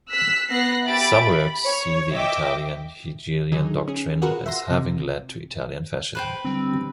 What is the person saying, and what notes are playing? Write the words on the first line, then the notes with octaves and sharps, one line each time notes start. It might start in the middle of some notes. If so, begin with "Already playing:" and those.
Some works see the Italian Hegelian doctrine as having led to Italian Fascism.
E6 F#6 B6
B3 F#6 A#6 C7
G4 E5 B5 A6 D7
B5
C#5
D#5 E5 G5 D6
D3 F#3 D#4 G#4
C#4 G#4
F4 F#4 G#4 A#4 B4 F#5
E5 F#5 C6 A#6
C3
B4 C5 G5
D3 G3 C4